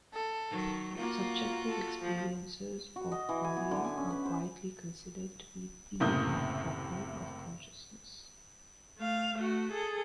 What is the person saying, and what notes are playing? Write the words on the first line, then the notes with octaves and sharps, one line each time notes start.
Subjective experiences or qualia are widely considered to be "the" hard problem of consciousness.
A4
D#3 F#3
A#3 F4 F#4
A4
F3
F#4
D#5
E3
G#5
B3
D3
G#5
C#4
B4
C5
F#1 A2 C3 A#3 D#6 G6
A3 F5
A3 F#4
G#4 A4